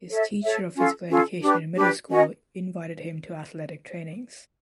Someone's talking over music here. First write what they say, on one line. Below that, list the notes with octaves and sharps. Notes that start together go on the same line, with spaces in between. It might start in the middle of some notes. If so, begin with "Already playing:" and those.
His teacher of physical education in middle school invited him to athletic trainings.
A4 C#5 E5
A4 C#5 E5
C#4 F4 A4
C#4 F4 A4
D4 G4 B4
D4 G4 B4
C#4 F#4 A#4 D#5